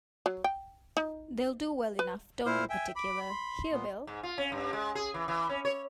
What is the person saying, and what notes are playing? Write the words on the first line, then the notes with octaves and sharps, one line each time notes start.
They’ll do well enough; don’t be particular—Here, Bill!
F#3
G5
D#4
B4
A#2 E4 C5 F6
E5 G5 G#5
B5 D6
C6
A#2 B3
G#2
F4
C#4
G2
G#3
G#4
E3
E3
C#4
C#5